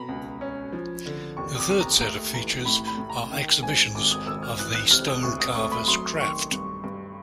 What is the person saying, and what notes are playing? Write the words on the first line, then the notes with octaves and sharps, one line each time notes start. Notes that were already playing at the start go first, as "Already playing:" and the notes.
The third set of features are exhibitions of the stone carver's craft.
Already playing: B2 A#5 B5
C#2
C#4
F3
D3
D#2 C#6
D#6
D6
D#2
A#5
A3 A#5
E3 A#5
A2 B5
B5
A2
A#5
D#3
G#2 G#5
G#1 D6
D#6
G#1 E6
F6
E3 F#6
F#6
C3 F6
D#6
D2 C#6
D#6
A3 C#6
B5
F#3 C6
D#3 C#6
G2
G2